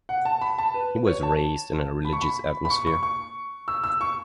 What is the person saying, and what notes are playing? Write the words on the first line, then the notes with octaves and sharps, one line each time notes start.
He was raised in a religious atmosphere.
F#5
A5
B5
A5
B4
C#5
A5
B5
C#6
B5
B5
C#6
C#6
C#6
E6
E6
C#6